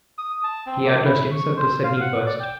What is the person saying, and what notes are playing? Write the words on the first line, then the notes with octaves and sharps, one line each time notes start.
He addressed himself to Sydney first.
D#6
A5
C4
A#3
E4
C#6
C5
F5
F#5
D5
G5